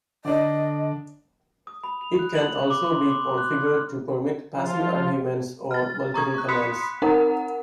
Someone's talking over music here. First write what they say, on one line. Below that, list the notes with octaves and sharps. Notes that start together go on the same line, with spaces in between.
It can also be configured to permit passing arguments or multiple commands.
D3 D4 D5 D#5
D#6
B5
F7
F#6
F#7
D6
C6
D6
F#6
F6
F3 F4
F6 A6
A#5 C#6 D#6 G#6
C#6 F#6
B5 C6 D#6 F#6 B6 C#7
C4 D#4 A#4 F#5 A#5